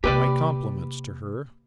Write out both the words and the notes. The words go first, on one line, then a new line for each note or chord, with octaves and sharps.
'My compliments to her.
C3 A#3 G4 B4 D5